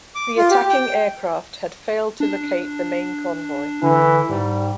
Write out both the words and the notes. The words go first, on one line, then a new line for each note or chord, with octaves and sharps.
The attacking aircraft had failed to locate the main convoy.
D6
F4
G4
G5
D4
D3 E3
G#2 G3